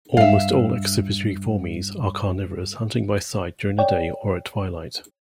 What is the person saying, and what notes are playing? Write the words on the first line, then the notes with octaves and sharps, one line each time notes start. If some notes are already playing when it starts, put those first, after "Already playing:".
Almost all Accipitriformes are carnivorous, hunting by sight during the day or at twilight.
G2 E5 F5
C#5 D5 G5